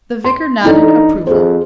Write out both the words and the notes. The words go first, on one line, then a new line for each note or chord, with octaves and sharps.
The vicar nodded approval.
C6
E3 D4 D#4 A4
F2 G#4 C5